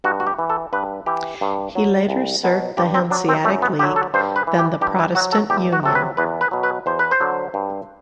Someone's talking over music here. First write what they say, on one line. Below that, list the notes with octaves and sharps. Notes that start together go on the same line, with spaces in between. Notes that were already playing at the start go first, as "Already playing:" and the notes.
He later served the Hanseatic League, then the Protestant Union.
G2 F#4
F#4
G4
E3
A4
G2 B4
E3 G4
G2
F#3
C2
B2 F#3
G2 G4
C4
F#3 D4
C4
F#2 A3
B3
D3 F#3 G4
A4
G2 C5
B4
E3
G4
G2 G4
E4
F#3 F#4
A4
E2 G4
F#4
C3 F#3 A4
B4
E2 B4
B4
B2 F#3
B4
E2 C5
B4
C5
D3 F#3
G2